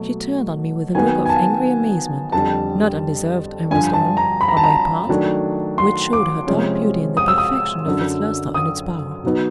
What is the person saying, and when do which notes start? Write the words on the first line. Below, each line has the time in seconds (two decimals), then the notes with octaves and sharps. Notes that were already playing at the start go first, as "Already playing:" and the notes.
She turned on me with a look of angry amazement--not undeserved, I must own, on my part--which showed her dark beauty in the perfection of its luster and its power.
Already playing: B2 F#3 A3
0.95 D#3 F#3 B3 G#5
1.26 G#5
1.29 A5
2.32 F2 D3 G3 A5
3.71 G2 D3 F3 G#5
3.93 A5
4.17 A#5
4.41 B5
4.48 A#5
4.57 A5
4.64 A#5
5.09 D#3 F#3 A3 D4
5.78 C6
6.13 D6
6.47 C3 F3 G#3 C#4
7.17 D#6
7.28 E6
7.38 D#6
7.85 F#2 D3 F#3
8.54 D#6
9.24 B2 F#3 B3 D#4